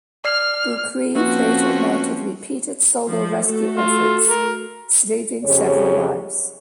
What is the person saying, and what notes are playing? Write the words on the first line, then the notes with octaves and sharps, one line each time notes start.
Boukreev later mounted repeated solo rescue efforts, saving several lives.
D5 F6 C7
F3 A#3 C4 C#4 F#4 B4
F3
A3 F#4 A4
F4
A#4
F2 C#3 G4 C#5